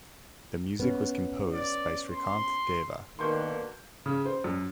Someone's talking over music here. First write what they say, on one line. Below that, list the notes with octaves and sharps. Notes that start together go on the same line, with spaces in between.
The music was composed by Srikanth Deva.
B3 C#4
D5
C6
B2 D3 D#3 A#3 C6 C#6 G6
C#3
C5
F#2